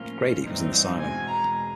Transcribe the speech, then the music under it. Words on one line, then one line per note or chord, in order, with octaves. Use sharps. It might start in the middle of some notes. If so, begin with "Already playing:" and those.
Grady was in the silo.
Already playing: A2 F3 A#3 C#4 F4
G2 E3 G3 C4 D#4
E2 B2 G#3 G#5
A#5